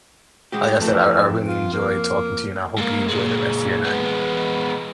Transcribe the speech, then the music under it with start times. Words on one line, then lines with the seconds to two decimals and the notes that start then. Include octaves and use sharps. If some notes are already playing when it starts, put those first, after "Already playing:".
like I said, I I really enjoyed talking to you, and I hope you enjoy the rest of your night.
0.52 G#3 F#4 G4
0.79 F2 E3 A3 C4
1.47 F4
1.73 A#3
2.78 G#2 A#3
3.09 A#2 G#3
3.84 G#3 B3